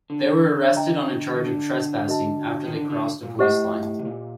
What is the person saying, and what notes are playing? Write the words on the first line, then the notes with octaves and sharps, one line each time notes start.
They were arrested on a charge of trespassing after they crossed a police line.
D3
C5 D#5 G5 A#5
D#3
D3
F#4 A#4 D#5 A5
D#3
D3
D3
A#2
A2 G4 C5 D#5 F#5
C3
A#2